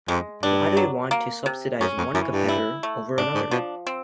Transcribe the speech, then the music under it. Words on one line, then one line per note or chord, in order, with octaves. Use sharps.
Why do we want to subsidize one competitor over another?
F2 G#3
G2 D4
F#3
A#3
C3
F#2 C#4
F2
F#2 E3
G2
E4
A3
G#2 D4
G#2
B2 F3
C4